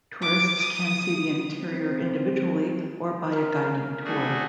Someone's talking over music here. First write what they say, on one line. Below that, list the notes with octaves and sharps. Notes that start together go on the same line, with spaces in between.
Tourists can see the interior individually or by a guided tour.
D6
D#6
C4
A#4
A3 D4 F#4 G#4